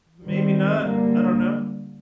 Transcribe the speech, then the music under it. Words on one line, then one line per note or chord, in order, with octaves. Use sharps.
Maybe not. I don't know."
D#3 G3 C4
D3 G3 A#3